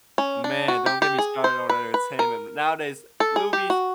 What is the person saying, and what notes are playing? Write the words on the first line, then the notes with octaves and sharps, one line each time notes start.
Man, don't get me started on entertainment. N Nowadays, movies,
C#4
D4
F#4
G4
G4
G#4
C5
B4
B4
A#4
A4
G#4
G4
F#4